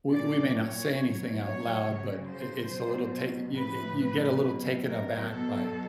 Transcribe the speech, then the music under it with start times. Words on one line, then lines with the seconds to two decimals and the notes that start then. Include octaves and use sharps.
we we may not say anything out loud, but, i it's a little ta you e you get a little taken aback by
0.13 A#2 F#3 D5
0.55 C#5
0.99 B2 F#3
1.41 C#5
1.85 C#3 F#3
2.27 C5
2.71 B2 F#3
3.57 A2 F3 B4
4.43 B2 F#3
4.86 A#4
5.29 B2 F#3 A4